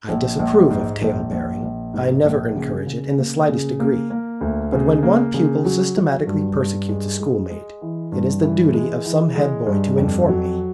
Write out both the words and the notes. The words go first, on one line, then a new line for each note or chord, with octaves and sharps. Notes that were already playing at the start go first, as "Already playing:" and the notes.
I disapprove of tale-bearing, I never encourage it in the slightest degree; but when one pupil systematically persecutes a schoolmate, it is the duty of some head-boy to inform me.
A#1
A#1
G#2
A#1
A#1
A#1
G#2
A#1
C#3
C#3
A#3
C#3
A#3
A#3
D2
C#3
A#3
C#3
F#3
F#3
G2
G2
G#3
G#3
G#3
E3
G2
E3
G#3
E3
G#3
G2
F2
F#3